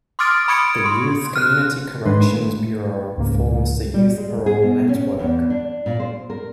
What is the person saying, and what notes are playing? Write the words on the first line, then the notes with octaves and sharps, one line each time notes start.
The Youth Community Corrections Bureau forms the youth parole network.
C6 D6 D#6 F6 A6 D7
B5 C#6 D#6 G#6 C#7 D7
C6
F6 F#6
G#2 D#3 G#3 D4 B4 C6
A3
C#2 G#2 A#3
G3
G#3
G#4
B2
C#4
E2
D4
A#2
C5
A#4